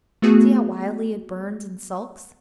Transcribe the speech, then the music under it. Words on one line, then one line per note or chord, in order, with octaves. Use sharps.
See how wildly it burns and sulks.
A3 B3 F#4 G#4